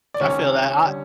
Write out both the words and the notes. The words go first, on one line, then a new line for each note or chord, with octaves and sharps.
I feel that. I
D5
C#2 C3 D#3 C#4 C#5
D3 G3